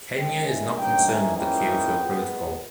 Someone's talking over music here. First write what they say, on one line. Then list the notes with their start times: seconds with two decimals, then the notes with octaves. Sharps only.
Kenya is not concerned with the Kyoto Protocol.
0.16 G#2 D#3 G#3 C#4 D#5 G5
0.45 E5 G#5
0.76 G2 D#3 A#3 C#4 D#5 G5
1.06 E5 G#5
1.36 G#2 E3 A#3 C#4 D#5 G5
1.97 A#2 G#3 B3